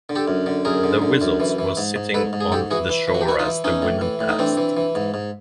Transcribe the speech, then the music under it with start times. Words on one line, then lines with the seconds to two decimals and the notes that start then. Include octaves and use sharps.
The wizards were sitting on the shore as the women passed.
0.09 D3
0.16 G4 A4
0.28 F#2
0.46 D3
0.65 F#2 G#4 A#4
0.83 D3
1.02 D3
1.21 F#2
1.40 E3
1.59 E3
1.77 G#2
1.96 G#2
2.14 G#2 A4 B4
2.33 G#2
2.41 G#4
2.52 G#2 G4 A4
2.71 E3 F#4 G#4
2.89 E3
3.08 E3
3.14 F#4
3.21 G4
3.27 E3 E4 F#4
3.39 D#4 F4
3.46 E3
3.64 E3 C#4 D#4
3.82 A2
4.01 E3
4.20 A2
4.29 D#4
4.39 E3 C4 D4
4.57 E3
4.77 E3
4.95 G#2
5.14 G#2